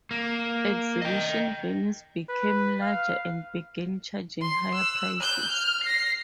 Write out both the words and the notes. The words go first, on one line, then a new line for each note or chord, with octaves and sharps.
Exhibition venues became larger and began charging higher prices.
A#3
D#5 G5
B4
F5
C6
E6 F#6
F#6 G6
F6
A#6 C7